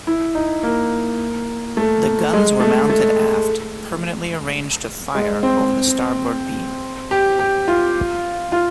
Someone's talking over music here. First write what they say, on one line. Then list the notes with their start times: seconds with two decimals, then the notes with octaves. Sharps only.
The guns were mounted aft, permanently arranged to fire over the starboard beam.
0.07 E4
0.35 D#4
0.63 A#3
1.77 A3
2.33 G#3
2.60 A3
2.90 A3
5.15 G#3
5.43 C4
7.11 G4
7.39 G4
7.68 F4
8.52 F4